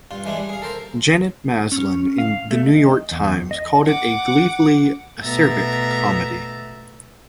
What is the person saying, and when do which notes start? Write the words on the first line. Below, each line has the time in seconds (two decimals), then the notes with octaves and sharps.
Janet Maslin in "The New York Times" called it a "gleefully acerbic comedy".
0.11 G2 F4
0.25 E3 G#3 D4 E4
0.37 G3
0.49 G#4 F5
0.62 A4 A#4 C5 A#5
1.72 C#4
2.18 F5
2.51 A3
2.67 D#5
3.11 E2
3.51 D#5
3.84 F#5 D6
5.23 B2 A3 E5 A#5 A6